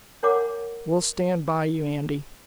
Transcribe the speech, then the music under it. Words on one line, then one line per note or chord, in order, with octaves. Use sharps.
"We'll stand by you, Andy."
D4 A#4 C#5 F#5 A#5 D6